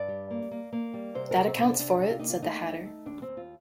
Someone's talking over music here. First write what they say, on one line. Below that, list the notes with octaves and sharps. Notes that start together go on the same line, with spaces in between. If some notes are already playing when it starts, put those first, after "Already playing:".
That accounts for it,’ said the Hatter.
Already playing: G2 D5
G3
A#3
A#3
A#3
G3
C3 C5
A#4
C3
C4
C3 D4
C3 D4
C3
F4
A#3 D#4
F4
A3 D#4
D#2
A3
D#2 D4
C4
D#2
F4